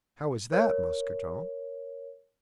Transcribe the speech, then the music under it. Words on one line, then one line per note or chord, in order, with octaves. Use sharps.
"How is that, Mousqueton?"
A#4 C#5